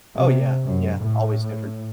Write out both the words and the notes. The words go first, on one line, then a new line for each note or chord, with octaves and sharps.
Oh, yeah, yeah. Always different.
C3
F#2
A2